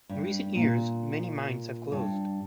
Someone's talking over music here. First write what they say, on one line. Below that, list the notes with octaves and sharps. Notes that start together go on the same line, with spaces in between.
In recent years many mines have closed.
G2
A#2
G2